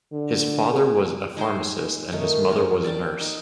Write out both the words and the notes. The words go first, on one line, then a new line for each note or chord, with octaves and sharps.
His father was a pharmacist and his mother was a nurse.
D3
G#4
G#3 D#4 C5 C6
D#3 A3 C#4 D#4
C#4 A#4
D5 G5 A5
D#4